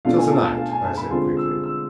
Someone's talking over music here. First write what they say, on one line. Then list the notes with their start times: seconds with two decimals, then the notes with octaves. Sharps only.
"Till to-night," I said quickly.
0.05 B2 A3 D4 F4 F5
0.18 G#5
0.31 A5
0.45 A5
0.58 F5
0.72 G#5
0.85 A5
0.97 B5
1.10 D3 G#3 C4 F4 C6
1.37 E6
1.64 E6